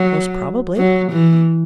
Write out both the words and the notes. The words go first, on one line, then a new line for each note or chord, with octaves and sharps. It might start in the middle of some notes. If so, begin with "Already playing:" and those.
"Most probably."
Already playing: F#3
F#3
E3